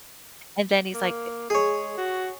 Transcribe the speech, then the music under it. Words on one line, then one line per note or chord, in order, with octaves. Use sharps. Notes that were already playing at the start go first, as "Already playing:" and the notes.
And then he's like eh
A#3
G#3 G#4 C#5
F#4